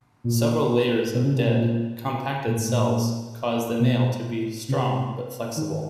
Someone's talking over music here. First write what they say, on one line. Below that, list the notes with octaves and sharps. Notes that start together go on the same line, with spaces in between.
Several layers of dead, compacted cells cause the nail to be strong but flexible.
A#2
B2
C#3
C3
A#2
A#2
A2
A#2
A#2
B2
C3
D#3